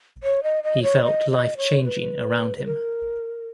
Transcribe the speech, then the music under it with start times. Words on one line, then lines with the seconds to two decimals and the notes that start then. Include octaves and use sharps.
He felt life changing around him.
0.23 C#5
0.43 D#5
0.64 D#5
0.83 C#5
1.04 D#5
1.31 D#5
1.57 C#5
1.84 B4
2.58 B4
2.65 A#4